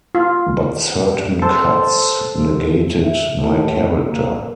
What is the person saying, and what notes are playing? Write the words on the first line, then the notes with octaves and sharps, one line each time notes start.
But certain cuts negated my character.
F4
A4 C5
E5
A2
A#3